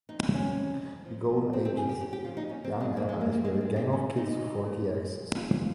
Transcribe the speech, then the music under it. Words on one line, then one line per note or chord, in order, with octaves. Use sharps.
The Golden Age's Young Allies were a gang of kids who fought the Axis.
F2 D#4
C3 C#4
F2
F2
F3
F3
D#2 C4
C4
C#3 G#4
G4
C#3 G4
G4
F3 F4
D#4
D#2 C#4
C4
D#2
G#3
G#2 A#3
G#3
G#2 A#3
A#3
G#2 G#3
C4
G#3
C4
G#3 C#4
G#3 D#4
A#2
A#2
G#3
F2
G#3 F4
F4